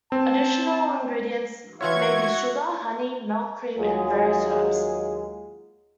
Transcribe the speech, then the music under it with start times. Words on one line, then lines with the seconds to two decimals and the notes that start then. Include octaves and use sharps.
Additional ingredients may be sugar, honey, milk, cream, and various herbs.
0.12 C4 A5
1.81 E3 F4 F#4 C#5 E5 C#6 G#6
3.77 D#2 F#3 G#3 F4 G#4